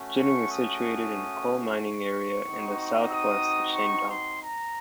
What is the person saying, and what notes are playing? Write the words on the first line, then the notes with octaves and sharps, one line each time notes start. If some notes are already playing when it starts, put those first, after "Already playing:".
Jining is situated in a coal mining area in the southwest of Shandong.
Already playing: A3 C#4 F#4
C#6
D#6
C#6
C4 D#4 F#4
D#6
C#6
C6
A#5